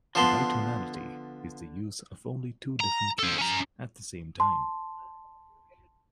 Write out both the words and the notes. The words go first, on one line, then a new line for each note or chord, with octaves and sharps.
Bitonality is the use of only two different keys at the same time.
D3 F3 B3 A5 C6
A#5
A4 C5
C#4 A#5
A5 C6